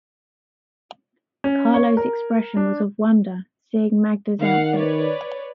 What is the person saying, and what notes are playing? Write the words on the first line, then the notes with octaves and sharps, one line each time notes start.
Carlo’s expression was of wonder, seeing Magda’s outfit.
C#4
C#5
A#4
D4
D#3 F5 F#5
B4 C#5 D5